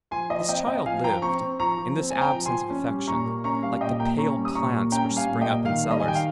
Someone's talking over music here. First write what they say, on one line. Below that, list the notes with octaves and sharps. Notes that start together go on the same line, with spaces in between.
This child lived, in this absence of affection, like the pale plants which spring up in cellars.
F3 G#5 C6
F3 D#5
C4 D#5 G5
C4 D#5 G5
F3 F5 G#5
F3 G5 A#5
C4 A#5 C#6
C4
F3 A#5 C#6
F3
C4
C4 G#5
G5 A#5
F3
G#5 C6
F3
C#4
G3
A#2 A#5 C#6
A#3
C#4 A#5 C#6
G3 F5
A#2 D#5 G5
A#3 G5 A#5
C#4 A#5 C#6
G3
D#6
A#2 A#5 C#6
A#3
C#4 G5 A#5
G3
F5 G#5
A#2
D#5 G5
A#3
D#3 F5
G3
D#5
G#5
D#3 G5
F5